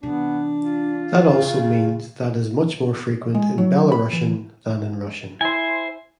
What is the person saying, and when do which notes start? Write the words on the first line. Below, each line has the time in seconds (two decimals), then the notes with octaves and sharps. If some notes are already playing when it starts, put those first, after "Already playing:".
That also means that is much more frequent in Belarusian than in Russian.
0.03 C3 E3 B3 D4
0.61 F4
1.27 F2 C#3
3.35 G#3
3.58 F#3
3.92 B5
4.13 E3
5.41 E4 C5 G#5